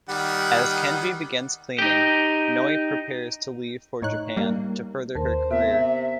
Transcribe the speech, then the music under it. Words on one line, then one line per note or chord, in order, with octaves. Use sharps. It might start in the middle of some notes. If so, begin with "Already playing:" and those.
As Kenji begins cleaning, Noi prepares to leave for Japan to further her career.
D#3 G3 F#5
D#4 G4
A2 D#4 C#5 D#5 A#5 F#6
G3 A#3
D#2 A#4 C5 A5
C3 B3 E5